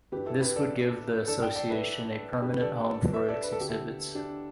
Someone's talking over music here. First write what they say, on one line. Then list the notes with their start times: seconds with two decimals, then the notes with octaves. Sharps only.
This would give the association a permanent home for its exhibits.
0.12 G2 E3 G4 B4
0.26 E4 A4
0.41 G4 B4
0.56 A4 D5
1.27 G2 E3 A4 D5
1.42 D5 G5
1.56 D5 G5
1.70 B4 E5
2.42 G2 D3 G4 B4
2.52 B4
2.61 A4 D5
3.14 B4 E5
3.29 A4 D5
3.43 B4
3.52 A4
3.58 D2 D3 G4
3.69 E4 A4
4.15 D4 G4